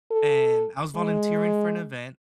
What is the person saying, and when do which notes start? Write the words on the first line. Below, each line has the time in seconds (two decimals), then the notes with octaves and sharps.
and I was volunteering for an event,
0.11 A4
0.96 G#3